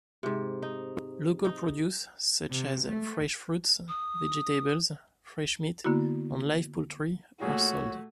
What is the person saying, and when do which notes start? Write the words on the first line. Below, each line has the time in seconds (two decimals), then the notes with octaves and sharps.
Local produce such as fresh fruits, vegetables, fresh meat and live poultry are sold.
0.23 G#2 C3
0.62 D#4
1.45 D#4
2.49 C3
2.87 A3
3.88 D#6
5.84 D3 A#3 B3 E4 F#4
7.41 A#2 A3 F#4 G#4 C#5